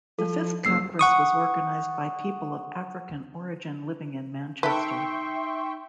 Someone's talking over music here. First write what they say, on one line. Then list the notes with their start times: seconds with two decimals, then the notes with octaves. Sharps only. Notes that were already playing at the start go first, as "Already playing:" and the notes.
The fifth congress was organized by people of African origin living in Manchester.
0.19 F3 A4
0.65 F#1 E6 C7
0.99 F#5 C#6 D#6
4.63 D#4 A4 B4 E5 G5 C6 C#6